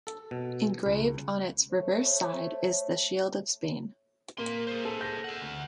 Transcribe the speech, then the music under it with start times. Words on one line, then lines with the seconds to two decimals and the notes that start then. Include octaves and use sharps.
Engraved on its reverse side is the shield of Spain.
0.07 A4
0.31 B2
0.86 C#2
1.72 A3 C5 C#5
4.38 A#3 A#4 C6
4.67 G#4 C5
4.85 A4
5.01 G6 A#6
5.24 E5 F#5
5.42 D2